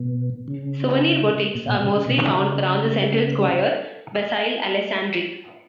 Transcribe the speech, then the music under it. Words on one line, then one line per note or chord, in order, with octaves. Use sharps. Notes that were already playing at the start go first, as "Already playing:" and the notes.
Souvenir boutiques are mostly found around the central square Vasile Alecsandri.
Already playing: B2
C#3
A#2
B2
B2
C#3
B2
D#3
C#3